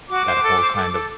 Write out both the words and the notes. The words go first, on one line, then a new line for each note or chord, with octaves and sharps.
that whole kind of,
F#4 D6
C5
A4
C5
A4
A4